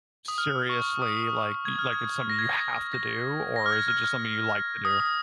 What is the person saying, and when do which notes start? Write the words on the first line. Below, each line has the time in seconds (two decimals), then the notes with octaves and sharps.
seriously, like y like it's something you have to do, or is it just something you like to do?
0.28 D#6
0.38 F6
0.69 C#6
1.02 D#6
1.23 D#6
1.65 G#6
1.79 F6
1.93 G#6
2.30 A#6
2.39 G#6
2.48 A#6
2.93 A#6
3.56 A#6
3.66 F6
3.72 G#6
3.88 F6
4.04 F6
4.85 D#6
5.00 D#6